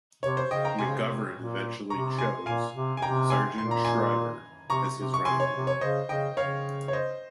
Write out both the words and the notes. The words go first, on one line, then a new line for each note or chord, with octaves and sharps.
McGovern eventually chose Sargent Shriver as his running mate.
C3 C#5
C5
C#3 D#5 G5
G5 A#5
C3 G#5 C6
C#3
C3
A#2
C3 A#5 C#6
G#5 C6
A#2 F5 G#5
C3
G#5
C3 G5 A#5
G#5 C6
A#2 C6
A#5
G#5 C6
C3 A#5 C#6
C3
C#6
C3 G#5 C6
C#5
C3
C#5
C#3 C5 D#5
C#3 D#5 G5
C#3 C#5 F5
C#5
C5 D#5